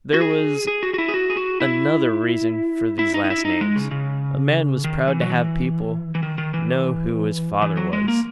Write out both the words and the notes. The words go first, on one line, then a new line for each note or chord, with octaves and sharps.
There was another reason for these last names: a man was proud to have people know who his father was.
F#4
G#4
G#4
F#4
F#4
E4
G#4
F#4
G#4
F#4
E4
E4
D#4
D#4
E4
D#4
G#3
C#3
C#3
D#3
E3
F#3
E3
E3
D#3
D#3
E3
E3
F#3
G#3
A#3